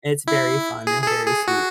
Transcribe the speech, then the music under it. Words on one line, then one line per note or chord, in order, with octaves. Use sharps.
It's very fun and very sweet.
E4
G#4
G#4
A4
G#4
F#4